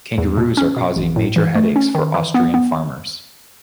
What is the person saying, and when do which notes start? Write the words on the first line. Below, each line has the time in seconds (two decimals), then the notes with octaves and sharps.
Kangaroos are causing major headaches for Austrian farmers.
0.18 E2
0.37 B2
0.57 C#4
0.76 B2
0.96 A1
1.16 A2
1.36 E3
1.55 A3
1.76 C#4
1.95 D#3
2.14 E3
2.34 B3
2.54 B3